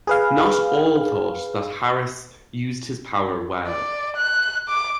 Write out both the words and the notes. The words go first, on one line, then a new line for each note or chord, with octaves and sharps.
Not all thought that Harris used his power well.
G#4 B4 F5
D5
F#6
D6